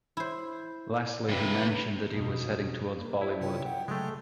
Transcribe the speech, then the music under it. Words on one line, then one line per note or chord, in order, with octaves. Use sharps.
Lastly, he mentioned that he was heading towards Bollywood.
E4 C5
G2 C3 B4
F2 B2
A#3
E4 C5
C3 F4 C#5 G5
F#5
C#3 F#3 G#3 A3